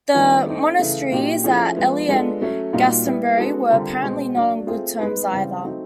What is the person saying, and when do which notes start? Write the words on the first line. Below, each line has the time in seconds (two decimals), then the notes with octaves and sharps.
The monasteries at Ely and Glastonbury were apparently not on good terms either.
0.14 D#3 G3 B3 D4 F4
0.47 A3 C4 D#4
0.79 C#3 E3 A3
1.12 A#2 F#3 A#3 D#4 G4
1.44 F3 A3 C#4 E4 G#4
1.76 F3 G#3 B3
2.09 G#3 B3 D4 F4 A4
2.41 F#3 A3 C#4
2.73 A#2 G3 A#3 D#4 F#4
3.05 G3 B3 E4
3.38 G#3 B3 D#4 F#4 A4
3.70 D3 G3 C4 F4 A#4
4.03 B2 G#3 C4
4.34 F#3 A#3 D4
4.67 A3 C4 F4 G#4
4.99 G#3 B3 D#4 G#4 B4
5.32 C#3 E3 G3 C4
5.64 F#3 A3 C4 D#4